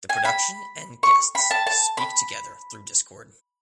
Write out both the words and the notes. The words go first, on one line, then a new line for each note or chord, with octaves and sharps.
The production and guests speak together through Discord.
G#5
B5
C#6
B5
A5
A5
B5